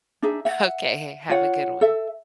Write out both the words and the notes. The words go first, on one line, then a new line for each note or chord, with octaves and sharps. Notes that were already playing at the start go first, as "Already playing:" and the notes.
Okay, h have a good one.
D4 D#4 G#4 E5
E5 F#5
F4 C#5 F#5
A4 E5